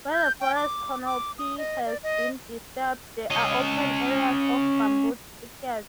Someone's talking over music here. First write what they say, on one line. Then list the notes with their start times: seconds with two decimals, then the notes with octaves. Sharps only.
Where the forest canopy has been disturbed there are open areas of bamboo thickets.
0.13 G6
0.40 G5
0.55 D6
1.05 D6
1.38 D#6
1.58 D#5
1.86 D5
2.03 D#5
3.31 C#4 D#5